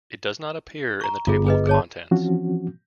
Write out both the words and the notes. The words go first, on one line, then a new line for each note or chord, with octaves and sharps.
It does not appear in the table of contents.
A#5 C#6
G1 F4 G#4
G#4 B4 D#5
G#4 C#5 A5
E3 F3 C4 C#4 F#4